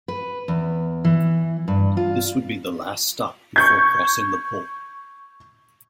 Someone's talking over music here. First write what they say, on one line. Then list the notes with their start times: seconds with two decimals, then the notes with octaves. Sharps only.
This would be the last stop before crossing the pole.
0.08 B4
0.48 E2
1.05 E3
1.68 G2
1.97 F4
3.56 C#6 G6 G#6